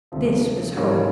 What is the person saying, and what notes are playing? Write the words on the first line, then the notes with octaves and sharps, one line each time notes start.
This was Hope.
D2 C3 F3
G#2 E3 G3 A#3 C#4